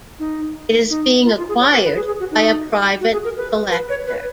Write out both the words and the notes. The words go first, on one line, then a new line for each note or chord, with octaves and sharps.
It is being acquired by a private collector.
D#4
D#4
F4
F4
G#4
C#5
B4
B4
G#4
G#4
F#4
D#4
F#4
G#4
A#4
B4
B4
C#5
B4